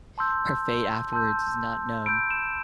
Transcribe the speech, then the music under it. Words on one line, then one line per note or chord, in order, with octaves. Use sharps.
Her fate afterwards is not known.
A5 C6 E6 G6
A5 C6 E6 G6
B5 E6 G6 D7
E7